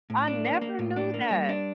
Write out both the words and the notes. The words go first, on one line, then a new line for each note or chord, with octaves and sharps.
I never knew that.
A2
D4
A#3
A#3
A2
D4
A#3
G3
D4